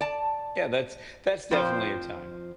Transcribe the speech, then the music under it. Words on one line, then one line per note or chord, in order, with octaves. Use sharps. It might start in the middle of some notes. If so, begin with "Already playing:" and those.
Yeah, that's that's definitely a time.
D5 A5
F2 F3 C5 G5